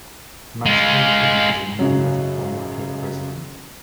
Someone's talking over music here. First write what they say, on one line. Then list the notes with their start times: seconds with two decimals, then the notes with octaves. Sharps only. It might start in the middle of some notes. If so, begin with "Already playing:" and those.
Max Ploquin is an emblematic former club president.
0.66 G#3 F4
1.79 C#2 F#2 C#3 F#3